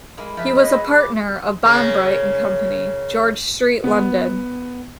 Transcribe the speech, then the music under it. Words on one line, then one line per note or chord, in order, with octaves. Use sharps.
He was a partner of Bonbright and Company, George Street, London.
G#3 A#3 E4
F3 B4 E5
B3 G#4 B4 D#5
D6
C#3 A#3
B3